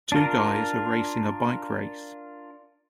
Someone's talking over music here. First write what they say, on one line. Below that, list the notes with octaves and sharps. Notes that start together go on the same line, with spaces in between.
Two guys are racing a bike race.
D4 F4 A#4